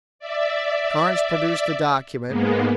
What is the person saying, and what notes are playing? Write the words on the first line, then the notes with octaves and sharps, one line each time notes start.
Carnes produced the document.
D5 E5
G#2 G#3 A#3 B3